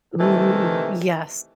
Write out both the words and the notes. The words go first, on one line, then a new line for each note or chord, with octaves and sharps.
Ooh, yes.
C3 D#3 E3 A3